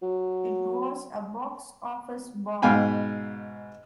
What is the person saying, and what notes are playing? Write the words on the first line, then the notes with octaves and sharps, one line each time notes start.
It was a box office bomb.
F#3
G#2 B2 F5 G5 G#5 B5